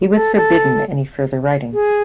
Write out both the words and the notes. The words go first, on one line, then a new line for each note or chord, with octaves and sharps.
He was forbidden any further writing.
A4
A4
G#4